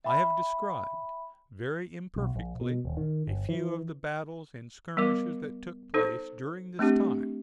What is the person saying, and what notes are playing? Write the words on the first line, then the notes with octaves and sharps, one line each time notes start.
I have described very imperfectly a few of the battles and skirmishes that took place during this time.
E5 G5 B5
B1
A#1
B2
D#1
D#3
G1
E3
G3 B3 A#4 D6
D#4 A4 C5
A3 C4 D4 G4